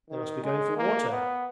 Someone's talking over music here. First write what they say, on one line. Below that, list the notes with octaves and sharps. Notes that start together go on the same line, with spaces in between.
'They must be going for water.'
D#3
G#3
A#3
B3